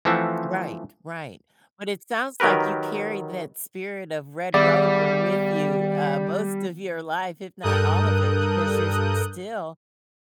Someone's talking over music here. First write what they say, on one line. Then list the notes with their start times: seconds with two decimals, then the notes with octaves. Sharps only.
Right, right, but it sounds like you carry that spirit of Red Rover with you, uh, most of your life, if not all of it, because you're still,
0.05 E3 F3 A3 C4 E5 F#5
2.40 D#3 F#3 G4 A#4 B4
4.54 D#3 G3 B3 D5
7.62 G2 A4 A#4 D#6 F#6 G6